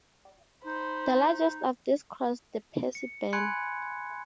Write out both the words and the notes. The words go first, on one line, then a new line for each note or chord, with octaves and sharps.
The largest of these crossed the Percy Burn.
D#4 C5 B5
C#7
G#5 B5 C6 F#6 G#6 C#7